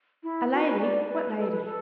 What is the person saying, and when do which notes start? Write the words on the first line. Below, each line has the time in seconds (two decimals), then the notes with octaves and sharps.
"A lady--what lady?"
0.23 E4
0.53 F#4
0.67 B4
0.80 D5
1.10 B4
1.38 A4
1.51 B4
1.65 A4